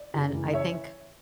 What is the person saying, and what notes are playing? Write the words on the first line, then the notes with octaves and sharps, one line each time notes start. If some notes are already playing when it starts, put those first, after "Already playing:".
and I think
Already playing: D5
F#1
E3
C#5 E5